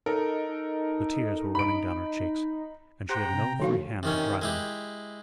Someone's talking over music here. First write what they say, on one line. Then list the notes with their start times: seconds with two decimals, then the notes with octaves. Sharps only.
The tears were running down her cheeks, and she had no free hand to dry them.
0.06 D#4 A4 A#4
0.49 D#4
1.55 B5 D7
3.09 G4 C5 F#5 G5 A#5
3.33 C3
3.60 D3 D#3 F3 A3 F#4 F5
4.03 C3 D#3 C#4
4.42 G#3 E4 G4